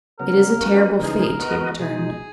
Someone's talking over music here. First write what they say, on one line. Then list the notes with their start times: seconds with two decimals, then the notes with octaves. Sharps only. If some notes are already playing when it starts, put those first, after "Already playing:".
"It is a terrible fate," he returned.
0.19 C#3 F#3 B3 A#4
0.59 A#3 C#4 F#4 B4
0.99 C#3 E3 G#3 D#4 G#4 A#4
1.39 G#3 B3 F#4 B4 D#5
1.79 B2 G#3 D#4 G#4